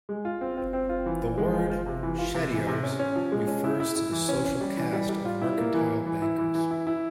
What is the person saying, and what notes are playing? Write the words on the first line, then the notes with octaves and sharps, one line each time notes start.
The word "Chettiars" refer to the social caste of mercantile bankers.
G#3
F4
C4
C4
C4
F4
E3
E3
G#3
F4
F4
C3
E3
F4
C3
E3
C3
C#4
C#4
F3
G#3
C#4
E4
E4
E4
E3
C#4
C#4
G3
E3
G3
G3
F4
E4
A#3
E3
E3
E3
E4
E3
E3
E4
E4